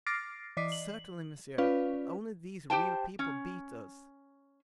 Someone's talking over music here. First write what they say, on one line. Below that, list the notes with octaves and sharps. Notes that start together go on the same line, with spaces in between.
"Certainly, monsieur; only these real people beat us."
D6 F6 A6 A#6 C7 D7
E3 D5 D#5 D6 B6 C7
F#7
C#4 F4 B4 D5 F5
G4 C5 G5 A5
C#4